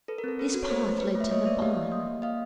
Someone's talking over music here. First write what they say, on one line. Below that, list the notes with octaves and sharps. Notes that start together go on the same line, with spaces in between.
This path led to the barn.
A4 B4
A#4
C4 A4
A4 B4
F#4
C#5
A3 A#4 C5
A3
A3 B4 C#5
A3
E5
A#3 C#5 D#5
A#3 D5 E5
G4 D#5 F5
A#3
A#3
A#3
A#3 D#5 F5